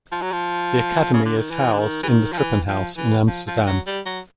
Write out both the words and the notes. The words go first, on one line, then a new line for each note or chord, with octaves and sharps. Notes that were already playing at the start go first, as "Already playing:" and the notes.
The Academy is housed in the Trippenhuis in Amsterdam.
F3
F#3
F3
C#3
D3
D#3
E3
D3
D#3
E3
D#3
F3
E3
F3
E3
F3
F3
F#3
G3
F#3